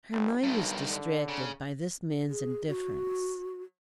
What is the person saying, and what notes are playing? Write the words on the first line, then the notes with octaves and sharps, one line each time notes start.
Her mind was distracted by this man's indifference.
G1
B1 G2 D#3
D3
C#3
G#4
F#4